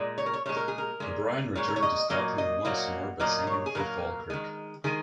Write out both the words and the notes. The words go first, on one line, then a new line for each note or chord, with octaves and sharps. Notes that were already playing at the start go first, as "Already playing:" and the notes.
O'Brien returned to Scotland once more by signing for Falkirk.
Already playing: A#2 G#3
C#5
A#4
C#5
A#2 G#3 C#5
A#4
G#4
A#4
A#2 G#3
A#2 G#3 C#5
A#4
C#5
D#5
A#2 F#3 A#3 D#5
D#5
A#2 F#3 A#3
A#2 F#3 A#3 D#5
C#5
G#4
A#2 F#3 A#3 A#4
D#3 G#3
D#3 G#3 G#4